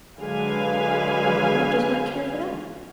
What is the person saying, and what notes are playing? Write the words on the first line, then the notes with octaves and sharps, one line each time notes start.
Well, what does one care for that?
D3 F#3 G#3 B4 F5 G#5